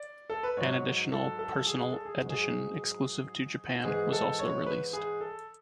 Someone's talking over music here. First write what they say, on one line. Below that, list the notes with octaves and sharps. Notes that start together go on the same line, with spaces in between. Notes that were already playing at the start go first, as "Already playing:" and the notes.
An additional "Personal" edition exclusive to Japan was also released.
Already playing: D5
A4
B4
G#2 F#3 C#5
A4
A4
G#4
A4
G#4
G#2 F#3
G#4
G#2 E3 G#3 G#4
A4
C#5
B4
G#4
A4